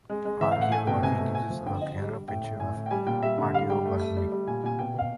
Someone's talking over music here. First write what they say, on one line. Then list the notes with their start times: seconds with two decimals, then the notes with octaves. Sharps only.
Archaeology gives us a clearer picture of martiobarbuli.
0.10 G#3
0.25 G#3
0.41 E3 E5
0.52 F5
0.56 A2
0.61 F#5
0.72 A3 G#5
0.87 B2 G5
1.03 C3 G#5
1.18 A3
1.34 A3 G#5
1.50 F3
1.66 D3 G5
1.81 D3 D#5
1.97 G3
2.13 G3
2.28 A2 G5
2.44 A2
2.60 A2 G#5
2.76 A2
2.86 G5
2.91 G3 G#5
3.06 A#2 G5
3.23 G3 E5
3.38 D3
3.53 G3 F5
3.69 G3 G5
3.85 A3
4.01 A3
4.17 G3
4.32 G3
4.47 A#2 G#5
4.63 A#2 G#5
4.79 B2 G5
4.94 B2 F5